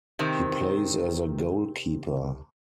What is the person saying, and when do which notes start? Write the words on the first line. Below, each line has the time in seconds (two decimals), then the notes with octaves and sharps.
He plays as a goalkeeper.
0.19 C3 D#3 C4